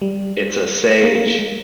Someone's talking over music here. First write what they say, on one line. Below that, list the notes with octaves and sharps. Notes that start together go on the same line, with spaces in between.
It's a sage.
G3
A#3
A#3
A#3
G#3